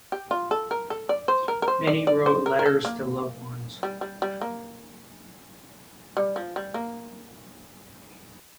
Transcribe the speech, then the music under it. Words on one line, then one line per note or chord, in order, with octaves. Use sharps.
Many wrote letters to loved ones.
G4
F4
A4
A#4
A4
D5
C5
A#4
A#4
C5
D5
D5
C5
A#4
A#4
A4
A#3
G3
G3
G3
A#3
G3
F3
G3
A#3